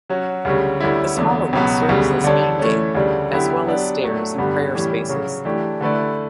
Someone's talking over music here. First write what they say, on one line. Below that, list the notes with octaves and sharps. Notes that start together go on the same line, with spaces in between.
The smaller one serves as main gate as well as stairs and prayer spaces.
F#3 C#4 F#4
D2 C#3 G3 C#4
D2 D3 G3 C#4 E4
E2 D3 F#3 B3
C#2 B2 F#3 B3
D2 C#3 G3 B3
D3 G3 D4 A4 C#5
E3 A3 C#4
D2 C#3 G3 D4
D3 F#3 B3 E4 G4
F#3 B3 D4 G4
A2 F#3 A3 D4
G2 D3 G3 B3
A2 E3 G3 C#4
C#3 F#3 C#4
E3 A3 D4 G4
D3 A3 E4 B4 D5